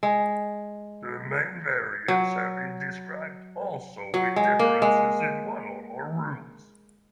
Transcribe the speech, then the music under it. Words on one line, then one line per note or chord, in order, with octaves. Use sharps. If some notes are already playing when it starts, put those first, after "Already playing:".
The main variants have been described also with differences in one or more rules.
G#3
F#3
F#3
G#3
A#3
G#3